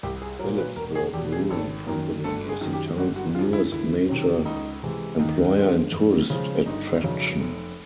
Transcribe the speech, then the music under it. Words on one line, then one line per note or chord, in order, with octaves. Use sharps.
Philipsburg Brewing Company is the town's newest major employer and tourist attraction.
C2 G4
G#4
A#2 F#3 A#4
B4
E1 A#4
G#4
E2 B2 G4
G#4
G#1 A4
F#2 D#3 A#4
G1 A4
G#4
F#2 D#3
G4
G1 F#4
F#4
F#2 D3 F4
E4
D2 E4
C3 D#3 F#3
C#2 D#4
C3 E3 G#3
D#2 D#4
D3 F3 G#3
F2
C#3 F3 G#3
G1 D#4
F2 C#3 F#3
F1